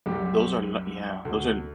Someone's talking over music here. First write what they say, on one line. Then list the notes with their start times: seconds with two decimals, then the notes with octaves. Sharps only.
Those are lik yeah, those are,
0.06 C2 F#2 G4
1.25 D2